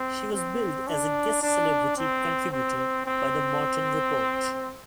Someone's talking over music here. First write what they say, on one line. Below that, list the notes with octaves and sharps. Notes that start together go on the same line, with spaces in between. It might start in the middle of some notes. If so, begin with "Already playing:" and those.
She was billed as a "Guest celebrity contributor" by "The Morton Report".
Already playing: C4
C4
D4
D4
C4
C4
C4